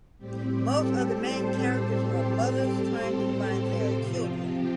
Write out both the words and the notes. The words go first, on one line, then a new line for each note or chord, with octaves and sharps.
Most of the main characters are mothers trying to find their children.
A2 G3 C4 G4
A4
C5
C5
C5
G4
G4
C3 F3 C4 F4
G4